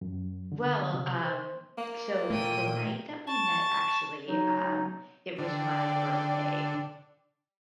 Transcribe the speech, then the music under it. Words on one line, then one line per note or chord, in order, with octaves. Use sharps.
Well, um, so, the night that we met, actually, um, it was my birthday.
F#2
D3
C3
C5
A#3
A#2 A3 G5 D#7
A5 C#6
F#3 D#4
D3 D5 G5